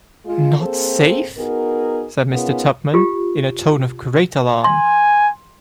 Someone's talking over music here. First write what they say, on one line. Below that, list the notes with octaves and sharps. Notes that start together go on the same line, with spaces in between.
'Not safe?’ said Mr. Tupman, in a tone of great alarm.
G#3 F4
A#3 C4 G#4 A4 C5
B3 D#4 F#4 G#4 A#4
B3 C#4 D#4 F4 G#4 A#4
F4 G4
G#5 C6